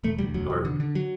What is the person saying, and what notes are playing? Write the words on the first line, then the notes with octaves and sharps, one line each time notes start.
are g
E1 A3
D2 G3
E1 F#3
E1
D3
D3
F#3